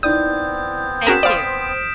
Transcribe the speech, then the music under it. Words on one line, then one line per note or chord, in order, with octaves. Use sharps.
thank you.
B3 C4 D#4 E4 D5 D#6 G6
C#4 F#4 G#4 A#4 G6 B6 E7
C5 D5 F5 C6 D#6 F6 D7